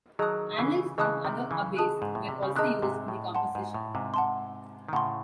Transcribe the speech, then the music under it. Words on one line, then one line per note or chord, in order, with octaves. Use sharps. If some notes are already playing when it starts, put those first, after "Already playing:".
Annals from other abbeys were also used in the composition.
D#3 F#3 G#4 D#5 A5 D#6 F#6
C#3 E3
C#3 E3 G#4 D#5 A5 D#6 F#6
C3 D#3
C#3 E3
G#4 D#5 A5 D#6 F#6
G#2
A2
C3
C#3
C3 D#3 G#4 D#5 A5 D#6 F#6
G#2 C3
A2
G#2 F#5 A5 C6
G#2
A2
G#2 C3
F#5 A5 C6
D#3
A2 C#3 F#5 A5 C6